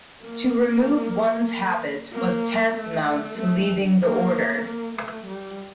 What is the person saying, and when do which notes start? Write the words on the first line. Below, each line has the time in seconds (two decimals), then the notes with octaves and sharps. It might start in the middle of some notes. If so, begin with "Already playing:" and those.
To remove one's habit was tantamount to leaving the Order.
0.24 A#3
2.13 A#3
2.75 A3
3.38 A3
4.02 A#3
4.64 A#3
4.96 A3
5.27 G3